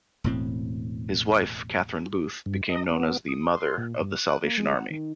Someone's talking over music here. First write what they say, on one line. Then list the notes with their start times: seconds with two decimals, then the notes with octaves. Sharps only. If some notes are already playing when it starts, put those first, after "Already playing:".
His wife, Catherine Booth, became known as the "Mother" of The Salvation Army.
0.24 E1 A2 C4
2.46 G2
2.69 D#5
2.91 B3
3.28 D#6
3.55 C6
3.78 A#2
4.01 G2
4.16 F#6
4.44 A#3
4.57 G#3
4.74 F#5
4.90 D#3